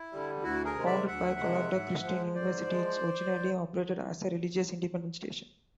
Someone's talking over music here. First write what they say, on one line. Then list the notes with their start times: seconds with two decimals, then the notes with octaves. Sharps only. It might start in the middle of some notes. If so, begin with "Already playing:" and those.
Founded by Colorado Christian University, it originally operated as a religious independent station.
Already playing: E4
0.12 D3 G3
0.43 D2 E4 F#4
0.65 G#4 A#4
0.75 C3 D#3 G#3
0.86 D5 E5
1.07 D2 E5 F#5
1.39 C3 D#3 G#3
1.71 G#2
2.02 F3 G#3
2.35 G#2 C5 D5
2.66 F3 G#3